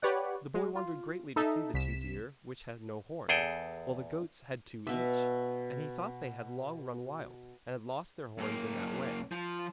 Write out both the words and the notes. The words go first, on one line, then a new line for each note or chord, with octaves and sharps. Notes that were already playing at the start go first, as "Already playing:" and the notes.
The boy wondered greatly to see the two deer which had no horns, while the goats had two each; and he thought they had long run wild, and had lost their horns in that way.
G4 B4 C#5 D5 F#5
G#3
F4
D#4 A4 E5
C2 B6 E7
E2 G#4 A4 G5
B2 E5
F#2 A#3
F3